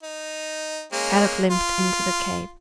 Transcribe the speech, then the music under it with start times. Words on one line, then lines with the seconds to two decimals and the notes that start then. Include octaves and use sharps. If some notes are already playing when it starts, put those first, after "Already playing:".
Kadok limped into the cave.
0.03 D#4
0.92 G#3 A#3 C#4
1.50 F4